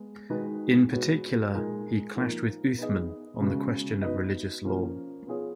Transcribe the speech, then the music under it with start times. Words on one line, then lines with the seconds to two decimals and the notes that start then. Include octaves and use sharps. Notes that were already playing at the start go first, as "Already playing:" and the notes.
In particular, he clashed with Uthman on the question of religious law.
Already playing: G#3 B3
0.30 D#3 G#3 D#4 F#4 B4
0.92 B2 G#3 B3 F#4 C#5
1.54 A#2 G#3 D#4 A#4
2.16 F3 A#3 D#4
2.78 B3 D#4 G#4 D#5
3.41 C#3 G#3 B3 F#4
4.02 B3 D#4 F#4 B4 D#5
4.65 F3 A#3 C#4
5.27 B3 F4 G#4 C#5